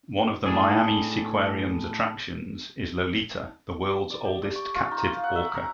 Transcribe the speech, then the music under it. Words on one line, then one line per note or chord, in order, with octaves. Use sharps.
One of the Miami Seaquarium's attractions is Lolita, the world's oldest captive orca.
A2 D4 G#4
D5
G4
D5
C#6
F4
D#4
F5
F#5
E5
A#5